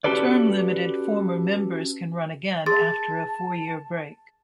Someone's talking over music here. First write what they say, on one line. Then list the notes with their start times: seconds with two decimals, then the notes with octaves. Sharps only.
Term-limited former members can run again after a four-year break.
0.04 C#4 F#4 G4 A4 B4 D5
2.66 G#4 A#4 A5 C6 A6